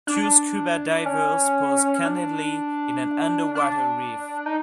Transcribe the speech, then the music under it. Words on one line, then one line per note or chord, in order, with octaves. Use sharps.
Two Scuba Divers pose candidly in an underwater Reef.
D4
C#4
D4
D4
D#4